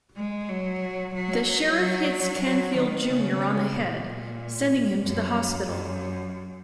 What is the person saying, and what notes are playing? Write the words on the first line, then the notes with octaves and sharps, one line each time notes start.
The sheriff hits Canfield Junior on the head, sending him to the hospital.
G#3
F#3
F#3
F#3
F#3
D#3
C#3
A#2
F#2
F#2